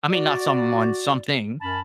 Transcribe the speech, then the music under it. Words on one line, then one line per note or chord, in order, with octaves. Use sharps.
I mean not someone, something,
F#4 D5
F#2 C#4 A5 B5